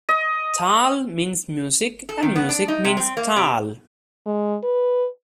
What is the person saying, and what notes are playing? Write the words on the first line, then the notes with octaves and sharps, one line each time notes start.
"Taal" means music and music means "Taal".
D#5
A4
D#3
B3
D4
D#4
C3
C4
A#3
C3
G#3
B4